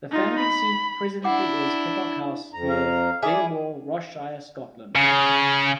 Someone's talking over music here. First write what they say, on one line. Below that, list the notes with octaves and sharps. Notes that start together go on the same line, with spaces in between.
The family seat presently is Keppoch House, near Dingwall, Ross-shire, Scotland.
D#4 F4
B5
D4 E4 F#5 D6
F2 A#5
F5
E4 G#4 D5
C#3